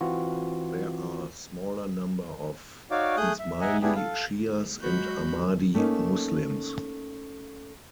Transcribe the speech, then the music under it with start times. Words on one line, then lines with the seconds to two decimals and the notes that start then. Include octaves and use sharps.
There are smaller number of Ismaili Shias and Ahmadi Muslims.
0.01 E3 C4 F4 F#4
2.91 D#4 F#4 C#5 D5 F5 D6
3.17 A3 G#4 D#6 F#6 G6
3.39 E5
3.61 D#5 E5 F#5 G#5 A#5
3.82 B3 D4 E4 G4 G#4
3.96 A4 F5
4.80 F#3 G#3 F#4 B5 G6
5.75 A3 A#3 C#4 D#4